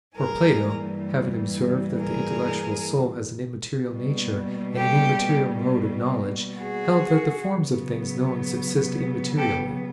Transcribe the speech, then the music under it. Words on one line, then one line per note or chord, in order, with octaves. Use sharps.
For Plato, having observed that the intellectual soul has an immaterial nature, and an immaterial mode of knowledge, held that the forms of things known subsist immaterially.
G2 E3 G3 A#3 G#4 A#4
G#4 A#4
B2 G3 A#3
G4 A4
F#4 G#4
C#3 F#3 B3
G4 A4